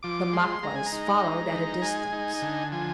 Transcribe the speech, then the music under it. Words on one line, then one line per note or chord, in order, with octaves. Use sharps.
The Maquas followed at a distance.
F3 D6
G#3 C6
G#3 A#5
G#5
A#5
D#4
G#3
D#4
G#3 G#5
D#4
D3
F3 G#5